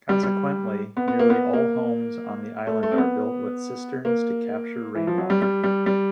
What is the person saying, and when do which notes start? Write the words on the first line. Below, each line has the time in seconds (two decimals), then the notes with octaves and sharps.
Consequently, nearly all homes on the island are built with cisterns to capture rainwater.
0.09 G3
0.23 G3
0.97 B3
1.08 B3
1.19 A#3
1.30 B3
1.53 A#3
2.67 A3
2.83 A3
2.91 C4
2.98 B3
4.05 A#3
4.95 E3
5.07 F3
5.18 F#3
5.30 G3
5.42 G3
5.64 G3
5.86 G3